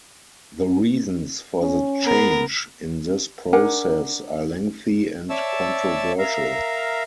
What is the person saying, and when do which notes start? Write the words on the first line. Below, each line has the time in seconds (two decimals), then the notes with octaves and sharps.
The reasons for the change in this process are lengthy and controversial.
1.63 C#4
2.04 B3 A#4
3.53 D4 A#4 F#5 G#5
5.30 C#5 D5 E5 A5 E6
6.19 A#4 E5 F5 A#5